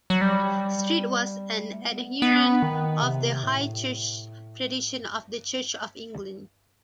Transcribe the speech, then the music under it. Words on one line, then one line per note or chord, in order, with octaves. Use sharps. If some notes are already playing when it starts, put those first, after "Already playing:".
Street was an adherent of the high church tradition of the Church of England.
F#3
G3
A3
B3
B3
D#3
C3
A2
F#2
G2